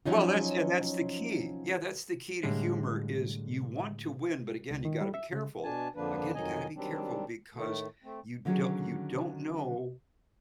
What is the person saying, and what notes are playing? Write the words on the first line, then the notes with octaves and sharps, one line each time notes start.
Well, that's and that's the key, yeah, that's the key to humor is you want to win, but, again, you gotta be careful again, you gotta be careful because you do you don't know
F3 F#3 C#4 D#4 F4
A2 D3 G3 G#3
C#2
D#3
G3
E5
C#3
B2 D4 G#5 A5
F2 D3 F3 A#3 D4 B4
F2 D#3 F#3 D#5 G#5
D#3 F#3 G3 C4 D4
A2 D#3 A3
A3 C4
D3 D#3 F#3 C#4 F#4 G#4